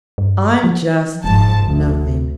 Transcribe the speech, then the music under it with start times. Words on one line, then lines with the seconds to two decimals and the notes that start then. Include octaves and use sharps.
"I'm just nothing."
0.18 G2
0.64 F3
1.24 F1 G#2 F3 A5
1.62 D2